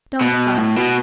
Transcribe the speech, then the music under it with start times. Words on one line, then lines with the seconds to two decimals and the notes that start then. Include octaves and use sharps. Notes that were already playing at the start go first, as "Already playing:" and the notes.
Don't fuss.
0.21 B2
0.57 A2
0.76 B2